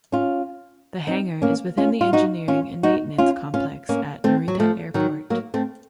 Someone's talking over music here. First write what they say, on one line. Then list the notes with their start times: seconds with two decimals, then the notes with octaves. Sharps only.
The hangar is within the engineering and maintenance complex at Narita Airport.
0.12 C#4 F4
1.07 C4 D#4
1.42 A#3 C#4
1.77 C#4 F4
2.01 F4
2.13 D#4 F#4
2.48 C#4 F4
2.83 D#4 F#4
3.18 C#4 F4
3.54 C#4 F4
3.89 A#3 C#4
4.24 A3 C4
4.48 F#3
4.60 F3 A3
4.94 D#3 F#3
5.30 F#3 A#3
5.54 A3 C4